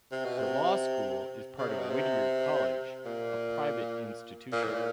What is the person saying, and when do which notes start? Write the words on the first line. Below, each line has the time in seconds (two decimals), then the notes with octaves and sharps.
The law school is part of Whittier College, a private institution.
0.11 C3
0.25 B2
0.38 C3
1.58 C#3
1.69 C3
1.80 B2
1.90 C3
3.05 A#2
4.52 A#2
4.63 A2
4.74 A#2